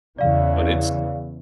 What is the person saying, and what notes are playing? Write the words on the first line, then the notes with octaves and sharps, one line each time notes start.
but it's
E2 C#3 E3 D5 F5